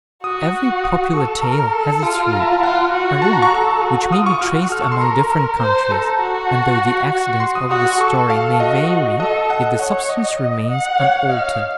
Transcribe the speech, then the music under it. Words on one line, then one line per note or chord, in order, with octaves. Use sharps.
Every popular tale has its root, a root which may be traced among different countries, and though the accidents of the story may vary, yet the substance remains unaltered.
F#4 D#6
D#6
A4 C#6
A#4
A4
F4
A#5
A5
F5
F4 F#5
F#4
A5
A#5
C#6
A4
F#4
F4 D#6
C#6
F#4 F6
A4 F6
C#6
C6
A#4 A#5
C5
A4 A#5
F#4
A5
F#4
C6
D#6
F#4 D#6
A4 C#6
F5
F#4 D#5
A4 D#5
F#5
C#5 F#5
D#5
F#5
C#5
D#5 F5
F5